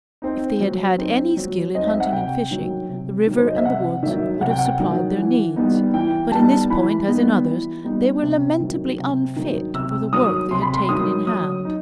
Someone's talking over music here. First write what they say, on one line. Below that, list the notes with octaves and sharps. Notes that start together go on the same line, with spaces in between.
If they had had any skill in hunting and fishing, the river and the woods would have supplied their needs; but in this point, as in others, they were lamentably unfit for the work they had taken in hand.
C4 D#4
F#3
C4 D#4
F#3
C4 D#4 D#5
E5
F#5
C3 G5
D#3 F#3
C3
D#3 F#3
C5
D#5
E5
C3 F#5
D#3 F#3 E5
C3 F#5
G5
F#5
D#3 F#3
E3
G3 B3 D#4
E3 G5
G3 B3 D#4 A5
E3 B5
G3 B3 D#4
E3
G3 B3 D#4
C3
D#3 F#3
C3
D#3 F#3
C3 E6
D#3 F#3 D#6
C3 C6
B5
C6
D#3 F#3 D#6
F#3 D#6
D#4